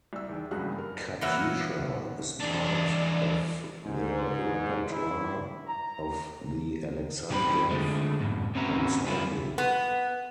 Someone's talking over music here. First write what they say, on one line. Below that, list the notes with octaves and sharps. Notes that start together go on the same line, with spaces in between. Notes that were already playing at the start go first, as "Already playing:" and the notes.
"Katyusha" is part of the repertoire of the Alexandrov Ensemble.
C2 E6
E2 D#3
F#1 C#2 G2 C#3 F#4 F#6
A#4
E3 F#3 A#3 B3 B4 E5
E2 D4
G#2
E4
A#5
C2 D#3 G4 G#4 C5 B5
D3 G#3 A3
F2 G#2 B2
C4 C#4 F#4 B4 E5 A#5
D3 G3 E4 F4 B4
B3